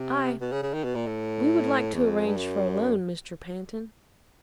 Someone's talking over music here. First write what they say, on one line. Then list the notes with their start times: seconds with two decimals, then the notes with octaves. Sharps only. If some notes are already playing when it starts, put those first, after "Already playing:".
"I--we would like to arrange for a loan, Mr. Pantin."
Already playing: C3
0.41 B2
0.52 C#3
0.63 C#3
0.74 D#3
0.84 B2
0.95 A#2
1.06 A2
1.94 E2
2.04 F2
2.26 G2
2.36 F#2